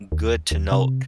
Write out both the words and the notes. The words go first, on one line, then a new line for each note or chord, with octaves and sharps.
good to note,
D#2
D#2
C3